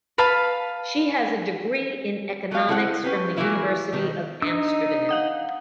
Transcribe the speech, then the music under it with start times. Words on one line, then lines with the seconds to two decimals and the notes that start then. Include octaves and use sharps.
She has a degree in economics from the University of Amsterdam.
0.18 B4 F5 A5 B5
2.51 F#3 A3 G4 F5
2.68 C4 E4 A4 C5 F5 F#5
3.04 C#4 G4 B4
3.37 E3 F#3 G#3 A#3 E4 F4
3.93 B2 D#3
4.42 D4 D#4 E6
5.09 F5 F#5 D#6